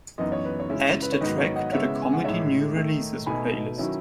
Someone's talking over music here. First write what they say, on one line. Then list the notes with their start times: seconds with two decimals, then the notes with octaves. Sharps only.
Add the track to the comedy new releases playlist.
0.18 F#2 E3 B3 D#4 D#5
0.32 C#5
0.45 B4
0.60 C#5
0.70 C#3 G#3 C#4 E4
1.02 B4
1.12 C#5
1.21 G#2 D#3 F#3 B3 D#4 B4 D#5
1.38 C#5
1.56 D#5 F#5
1.72 C#3 G#3 B3 E4 C#5 E5
2.02 G#5
2.13 F#5
2.24 A2 G#3 D#4 C#5 E5
2.75 D#3 A3 D#4
3.26 B2 A3 D#4 G#5 B5
3.78 D#3 F#3 C#4 E4